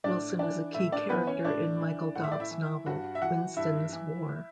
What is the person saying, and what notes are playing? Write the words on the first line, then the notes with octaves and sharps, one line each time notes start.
Wilson is a key character in Michael Dobbs' novel "Winston's War".
A2 D4 D5
E3 D4 D5
A2 E4 E5
D4 D5
E3 B3 B4
C#4 C#5
A2 D4 D5
E3
A2 F#5
E5
D5
E4 E5
E3
G2 F#4 F#5
E5
E3 F#4 F#5
G2 E4 E5
E3